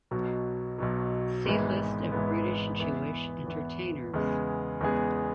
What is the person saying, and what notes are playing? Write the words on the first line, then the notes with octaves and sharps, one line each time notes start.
"See List of British Jewish entertainers".
B1 B2 F#3
B1 B2 F#3
G#1 G#2 E3 G#3 B3
G#1 G#2 E3 G#3 B3
E2 E3 B3
E2 E3 B3
E2 C#3 G#3 B3 G#4
E2 C#3 G#3 B3 G#4